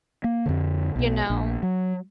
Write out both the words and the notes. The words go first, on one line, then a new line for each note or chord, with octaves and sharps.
you know,
A#3
F2 D3
B1 B2
A#1
F#3